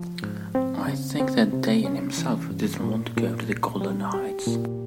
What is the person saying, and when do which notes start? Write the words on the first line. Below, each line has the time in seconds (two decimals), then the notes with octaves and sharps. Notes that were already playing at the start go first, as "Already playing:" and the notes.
I think that Dayan himself didn't want to go to the Golan Heights.
Already playing: F3
0.23 G#2
0.55 C4
0.87 C#3
1.20 C4
1.53 C3
1.85 C#4
2.18 E3
2.50 G2
2.83 A#2
3.16 A#2
3.49 C2
3.81 G3
4.14 G4
4.47 A#2